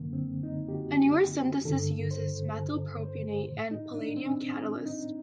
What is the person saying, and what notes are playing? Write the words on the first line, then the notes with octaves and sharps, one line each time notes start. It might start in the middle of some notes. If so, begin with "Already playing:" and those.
A newer synthesis uses methyl propionate and a palladium catalyst.
Already playing: F#2 D3 A#3
C4
D#4
G4
F#4
G2 D3 A4
C5
C5
A2
D#4
D4
C4
D#4